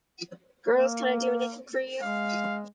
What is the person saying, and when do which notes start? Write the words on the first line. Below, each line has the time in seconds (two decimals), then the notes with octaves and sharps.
Girls, can I do anything for you?
0.72 A#3
2.01 G#3 F5